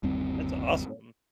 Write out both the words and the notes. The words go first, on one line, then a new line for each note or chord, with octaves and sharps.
That's awesome.
G1 D#2 G3 C4